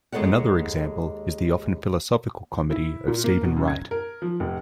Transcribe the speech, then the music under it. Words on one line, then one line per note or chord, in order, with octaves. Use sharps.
Another example is the often-philosophical comedy of Steven Wright.
D#2 G#3 A4 C#5 F#5
E4
A#2
A#3
B2
F#2
G#6
A#4
F3
F1